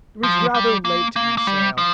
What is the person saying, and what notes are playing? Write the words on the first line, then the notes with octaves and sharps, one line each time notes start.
It was rather late in the sale.
F3
G3
A#3
A#3
A#3
G3
F3